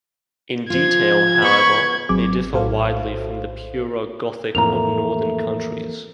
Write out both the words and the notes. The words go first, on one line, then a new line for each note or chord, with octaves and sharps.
In detail, however, they differ widely from the purer Gothic of northern countries.
F3 F4 G#6
B3 C#5 B5 C#6
G#1 F#3 C4 G#4 D6
A#1 A2 F#4 A4 C5 F5
F2 A2 E3 A3 A#3 A#4 A#5 F7